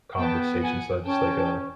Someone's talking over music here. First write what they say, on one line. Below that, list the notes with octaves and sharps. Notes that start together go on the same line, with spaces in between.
conversation, so a just like a
B3 G5 A5
F#5 G#5
C#4 G5 A5